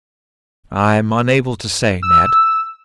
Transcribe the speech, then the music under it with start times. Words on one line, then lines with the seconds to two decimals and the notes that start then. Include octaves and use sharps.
"I'm unable to say, Ned."
2.03 E6